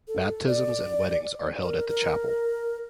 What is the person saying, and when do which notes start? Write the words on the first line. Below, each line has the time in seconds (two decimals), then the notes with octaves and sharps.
Baptisms and weddings are held at the chapel.
0.08 A4
0.47 D5
1.63 A#4
1.89 A#4